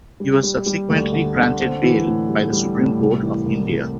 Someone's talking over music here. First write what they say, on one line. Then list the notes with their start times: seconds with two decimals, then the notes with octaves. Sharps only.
He was subsequently granted bail by the Supreme Court of India.
0.20 G3
0.43 G3
0.66 G3
0.90 D2
1.13 D3
1.36 D3
1.59 C4
1.83 E3
2.06 A2
2.29 G3
2.52 G3
2.76 A2
2.99 C2
3.23 E3
3.46 C2
3.69 C2